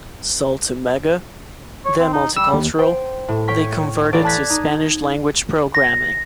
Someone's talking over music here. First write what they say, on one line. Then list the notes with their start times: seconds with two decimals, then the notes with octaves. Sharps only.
Sold to Mega then Multicultural, they converted to Spanish-language programming.
1.85 C#5
1.99 C4
2.13 D#4
2.37 G3 E6
2.53 D#2
2.78 C5 G5
3.28 A2 E7
3.48 C#5 G5 C#6 F6 B6
4.13 A1 D5
4.25 A5 F#6 G#6 A6 B6
4.50 D#4
5.75 A#6